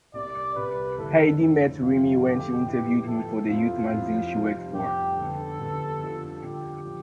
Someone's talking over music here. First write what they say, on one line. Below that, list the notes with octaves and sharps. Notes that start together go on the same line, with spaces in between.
Heidi met Remee when she interviewed him for the youth magazine she worked for.
C2 C3 G3 D5
C2 C3 G3 B4
G1 F2 D3 A3 E4 A4
G1 F2 D3 A3 E4
F2 D3 F3 A3 F4
F2 D3 F3 A3 G4
A2 F3 B3 E4 G4
A2 F3 B3 E4 A4
F2 C3 F3 C4 E4 F4
F2 C3 F3 C4 E4
F1 F2 C3 G3 C4
F1 F2 C3 G3 C4 G4
G1 F2 D3 G3 B3 A4
G1 F2 D3 G3 B3
F2 D3 G3 D4 F4
F2 D3 G3 D4 F4 G4
D3 F3